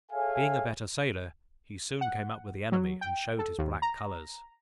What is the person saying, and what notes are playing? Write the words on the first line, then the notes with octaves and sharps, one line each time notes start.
Being a better sailer, he soon came up with the enemy, and showed his black colors.
G#4 A4 C#5 E5 F5 G#5
F#5
F#3
G5
A4
D#2
A#5